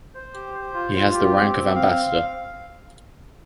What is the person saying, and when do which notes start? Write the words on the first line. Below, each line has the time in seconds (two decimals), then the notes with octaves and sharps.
He has the rank of ambassador.
0.14 C5
0.34 G4
0.54 C5
0.74 F4
0.95 F4
1.14 G4
1.34 C4
1.55 C4
1.75 F5